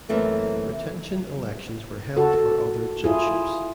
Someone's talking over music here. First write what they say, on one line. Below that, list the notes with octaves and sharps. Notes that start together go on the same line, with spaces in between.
Retention elections were held for other judgeships.
F#2 E3 A3 A#3 C4
F#4 A4
A4
E4 F4 G#4